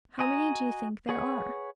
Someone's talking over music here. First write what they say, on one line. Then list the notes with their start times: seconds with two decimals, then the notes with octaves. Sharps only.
How many do you think there are?
0.19 F#4 D#5 G#5 A#5
1.09 G#4 B4 C#5 F#5